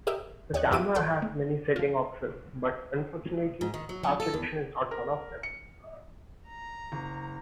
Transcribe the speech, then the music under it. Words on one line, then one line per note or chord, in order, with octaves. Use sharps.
The camera has many setting options, but, unfortunately, saturation is not one of them.
G4 G#4 A#4 D#5 E5 G5
D#2 G4 C#5 D#5 C#6 F#6
F#2 B3 G4 D6 D#7
G#1 A4 C5 F#5 A5 D7
A3
F3 F4
G#2
D#3
F#3
F#3
A4
E2
A#4
C#7
A#5
F#1